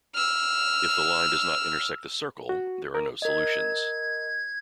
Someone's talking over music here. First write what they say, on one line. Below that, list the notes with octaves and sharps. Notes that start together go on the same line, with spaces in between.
If the line does not intersect the circle, there are no solutions.
E6 F6
F#4
A#4
A#4 D#5 G#6